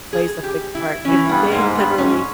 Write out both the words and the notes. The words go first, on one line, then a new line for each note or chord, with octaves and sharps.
plays a big part if they literally,
G#4
G4
E4
E3 C#4
G2 B3
G#2 A#3
G2 B3
G#2 C#4